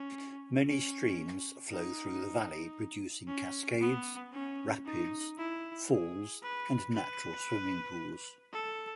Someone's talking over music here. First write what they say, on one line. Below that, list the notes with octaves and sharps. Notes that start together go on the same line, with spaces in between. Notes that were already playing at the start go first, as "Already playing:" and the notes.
Many streams flow through the valley, producing cascades, rapids, falls and natural swimming pools.
Already playing: C#4
C#4
D#4
C#4
B3
C#4
D#4
E4
G#4
B4
B4
A4